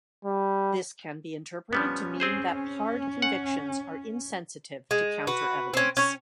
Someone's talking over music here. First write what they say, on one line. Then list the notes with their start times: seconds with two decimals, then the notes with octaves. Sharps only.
This can be interpreted to mean that hard convictions are insensitive to counter-evidence.
0.25 G3
1.73 F3 G3 B3 C#4
2.20 C4 G#4 C5
3.22 F#5
4.91 G#3
5.27 F#4 B4
5.74 C4 C#4
5.97 C#4 C#5